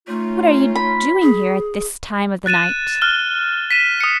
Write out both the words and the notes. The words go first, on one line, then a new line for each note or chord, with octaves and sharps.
"What are you doing here at this time of the night?"
A3 C#4 D#4 F4
B5
G#4
F#6 A6 D#7 E7
F6 F#6 G7
B6 D#7 E7
D#6 C#7